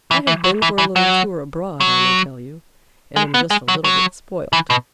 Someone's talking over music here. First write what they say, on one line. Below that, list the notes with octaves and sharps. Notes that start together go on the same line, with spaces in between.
I have been for a little tour abroad, I may tell you, and am just a little bit spoilt.
E3
E3
F#3
E3
E3
F#3
F#3
G#3
B3
G#3
F#3
F#3
E3
B2